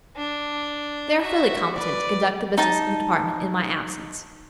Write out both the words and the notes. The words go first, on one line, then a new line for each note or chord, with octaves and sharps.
They are fully competent to conduct the business of the department in my absence.
D4
F#4 E5
B4 D5
D#4 A5